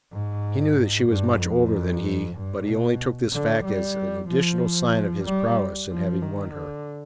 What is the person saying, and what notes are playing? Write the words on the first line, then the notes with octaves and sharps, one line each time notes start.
He knew that she was much older than he, but he only took this fact as an additional sign of his prowess in having won her.
G#2
G2
F2
G2
B2
D3
G3
F3
G3
F3
D#3
D3